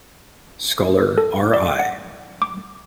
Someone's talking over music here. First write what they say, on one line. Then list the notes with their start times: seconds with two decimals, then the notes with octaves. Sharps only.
Scholar R. I.
1.18 A4
1.54 D5
1.79 F#5
2.42 D6